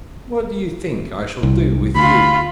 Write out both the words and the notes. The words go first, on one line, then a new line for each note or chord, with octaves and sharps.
What do you think I shall do with you?'
C2
D2 F4 B5